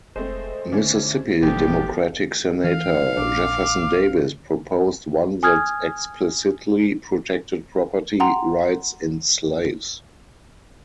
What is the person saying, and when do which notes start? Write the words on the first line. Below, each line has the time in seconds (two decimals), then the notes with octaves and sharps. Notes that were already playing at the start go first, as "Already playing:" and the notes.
Mississippi Democratic Senator Jefferson Davis proposed one that explicitly protected property rights in slaves.
0.16 F1 G#3 A3 C4 C5
0.72 D3 C#4 D4 E4
1.42 G1 A#2 E3 F3 G3 A3 B3 G4
2.64 E3 F5
3.17 A#1 D4 D6
5.43 G#5 D#6 F6 G#6
8.20 F#5 G5 A#5 C6